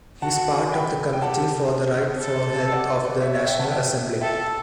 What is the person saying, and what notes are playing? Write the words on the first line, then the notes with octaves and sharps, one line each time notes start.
He’s part of the Committee for the Right for Health of the National Assembly.
F#4 F#5 A5
G5 B5
G5
G4 F#5 A5
A4
D5 F#5
B4 D5
C#5 E5
C#5 E5
E5 G5
F#5 A5
E5 G5
A4 E5 G5